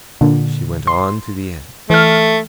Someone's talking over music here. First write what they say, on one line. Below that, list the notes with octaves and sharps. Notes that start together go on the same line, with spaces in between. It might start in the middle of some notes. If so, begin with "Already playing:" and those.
She went on to the end.
A#2 D3
C6
E3 A3 F6